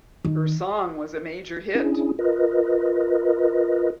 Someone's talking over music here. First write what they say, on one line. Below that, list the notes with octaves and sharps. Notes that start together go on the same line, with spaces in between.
Her song was a major hit.
D#3
C#4 D4 E4 G#4
F4 A#4 B4 D#5